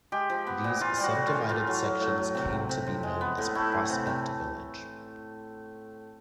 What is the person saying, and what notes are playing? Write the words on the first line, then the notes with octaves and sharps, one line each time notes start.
These subdivided sections came to be known as Prospect Village.
G#3 G4
F3
B3
A#2
E3 F4
G3
F#4
A2
F4
E3
A2 F4
F#3
F#3
A2
F#3
C3
C3
C3
F3
G#3
B3
A2
A3 E4
E3
C3
C3